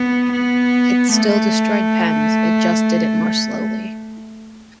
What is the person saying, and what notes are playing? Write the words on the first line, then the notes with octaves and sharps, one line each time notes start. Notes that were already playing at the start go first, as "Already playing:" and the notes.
It still destroyed pens; it just did it more slowly.
Already playing: B3
B3
A3